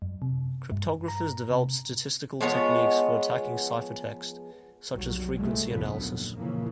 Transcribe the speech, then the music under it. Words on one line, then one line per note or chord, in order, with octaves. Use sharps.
Cryptographers developed statistical techniques for attacking ciphertext, such as frequency analysis.
F#2
C3
G2
A#5
C3
F3 G#3 B3 C#5
F1 B1 F#3 G3
F#1 C#2 A2 C3 G#3 A3
C2 F#2 D3 F3 F#3 B3
D#2 A#2
A#2 C#3 E3 F3 A#3